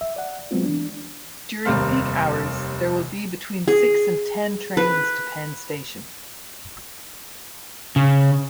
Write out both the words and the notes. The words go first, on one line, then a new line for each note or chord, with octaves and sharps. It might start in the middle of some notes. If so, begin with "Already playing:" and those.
During peak hours there will be between six and ten trains to Penn Station.
E5
D5 F#5
F#3 G#3 B3 C4 F4
E3 D4
F1 D#2 G3 C4 F5 F6
G#4
B4
C#3